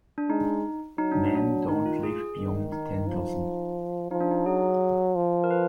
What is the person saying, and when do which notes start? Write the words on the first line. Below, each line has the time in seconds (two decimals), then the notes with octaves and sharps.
Men don’t live beyond ten dozen.
0.18 D4
0.29 G#3 D#4
0.98 F#3 D#4
1.11 D4
1.35 D4
1.68 D#3 D#4
1.86 F4
2.03 G#4
2.37 D#3
2.72 D#4
3.07 F3
4.11 F3 D#4
4.21 D4
4.31 D#4
4.46 F#3 G#4
5.15 F3
5.44 A#4
5.51 B4